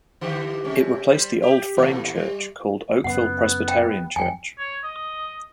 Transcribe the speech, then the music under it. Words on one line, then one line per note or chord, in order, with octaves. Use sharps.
It replaced the old frame church, called Oakville Presbyterian Church.
D3 E3 G4
C3 G#3 C#4
G3 C5
G4
A#2 E3 A3
G3
F#2 C#3 B3 F#5
G5
F2 G5 G#5
C#5
D#5